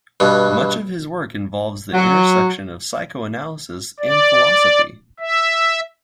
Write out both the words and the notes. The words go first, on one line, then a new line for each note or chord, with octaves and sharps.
Much of his work involves the intersection of psychoanalysis and philosophy.
G2 B2
F#3
D5
E5